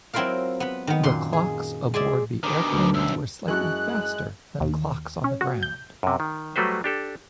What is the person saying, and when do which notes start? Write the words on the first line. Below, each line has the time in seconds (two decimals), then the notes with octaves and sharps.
The clocks aboard the airplanes were slightly faster than clocks on the ground.
0.14 F#3 C4 E4 F4 A#4 F5
0.60 B3 B5
0.87 D#3 B3
1.03 F#2 A#2 C6
1.33 G#4
1.94 G#3 G#4 D5 E5
2.43 B2 D#3 D4 G4 D6
2.73 D2 F4 A4 B4
2.94 B1 F#2 E6 D7
3.48 F#2 G#3 E4 F#4 A4 C#6 F#6
4.60 D#2
5.24 C#4
5.41 F#4
5.63 G6
6.03 F#2 C3
6.20 D#3
6.56 F#3 G3 A3 F#4 B4 C5
6.84 D4 G4 A4